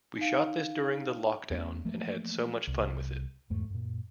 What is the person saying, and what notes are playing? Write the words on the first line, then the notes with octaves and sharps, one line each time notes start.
We shot this during the lockdown and had so much fun with it.
D#4 F5
E2 A3 B3 C#4
E3 F3 A3 A#3
C2
E2 G#2 A3
F#2 A#2